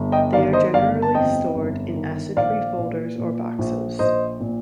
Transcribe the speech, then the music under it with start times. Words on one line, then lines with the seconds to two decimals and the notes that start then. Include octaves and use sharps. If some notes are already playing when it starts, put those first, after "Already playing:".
They are generally stored in acid-free folders or boxes.
Already playing: G1
0.12 D#5 G5
0.33 D#3 D5 F5
0.53 C5 D#5
0.74 G1 D5 F5
1.02 A5
1.14 F2 D#5 G5
1.55 G1
1.96 D#3
2.36 A#1 D5 F5
2.77 A#2
3.18 A#2
3.59 A#1
3.99 A#1 C5 D#5
4.40 A#2